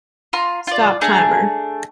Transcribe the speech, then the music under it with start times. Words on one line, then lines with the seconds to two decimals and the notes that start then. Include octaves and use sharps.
Stop timer.
0.33 F4 A#5 C6
0.67 F4 D5
1.01 A3 D4 G#4 A#5